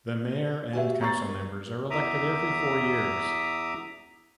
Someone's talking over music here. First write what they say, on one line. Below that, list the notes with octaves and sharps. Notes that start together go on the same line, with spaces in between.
The mayor and council members are elected every four years.
F#4 G4 B4 E5 G#5
B3 A#5 C#6 G#6 A6 C7
A#4
E2 E5 A#5 D6 D#6